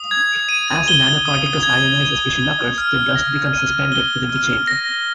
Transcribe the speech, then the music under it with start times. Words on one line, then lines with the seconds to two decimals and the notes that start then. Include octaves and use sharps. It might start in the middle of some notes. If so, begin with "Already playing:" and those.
As the nanoparticles ionize as fission occurs, the dust becomes suspended within the chamber.
Already playing: D#6
0.11 G#6
0.49 D#7
0.88 G7
1.25 D#6
1.63 G#6
2.01 D#7
2.40 G7
2.78 F6
3.16 A#6
3.53 D#7
3.92 G7
4.29 F6
4.67 A#6